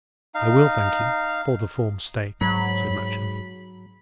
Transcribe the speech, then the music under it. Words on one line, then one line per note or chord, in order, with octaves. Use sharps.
"I will thank you, for the form's sake," said Matcham.
D#4 F5
G#2 F#3 B5